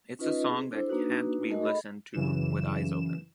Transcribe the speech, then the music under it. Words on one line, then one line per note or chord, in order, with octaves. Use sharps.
It's a song that can't be listened to with eyes open.
C#4 D#4 F4 B4 D#5
C4 G#4
D4 E4 A4 C5
A#3 D4 D#4 F#4 B4
G#3 A3 D#4 F#4 A#4 D#5
G#4 A4 D#5 B5
F#2 C#3 E3 E7